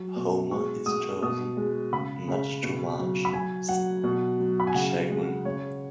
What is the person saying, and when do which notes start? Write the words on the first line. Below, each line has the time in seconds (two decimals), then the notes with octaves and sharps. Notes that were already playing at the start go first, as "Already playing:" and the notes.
Homer is chosen, much to Marge's chagrin.
Already playing: F#3
0.16 B2
0.51 G#3 C#6
0.86 G#3 D#6
1.22 B2 D#6
1.57 G#3
1.92 C#3 B5
2.28 C#3
2.63 B2
2.99 F#3
3.25 B5
3.33 F#3 G#5
3.69 F#3 F#5
4.04 B2
4.40 F#3
4.60 B5
4.67 G#5
4.75 C#3 F#5
5.10 G#3
5.45 C#3 C#5